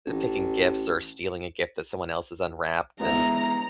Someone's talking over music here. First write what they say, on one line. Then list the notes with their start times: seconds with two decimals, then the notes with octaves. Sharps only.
picking gifts or stealing a gift that someone else has unwrapped and,
0.07 A1
3.00 G#3 B3 E4 A#5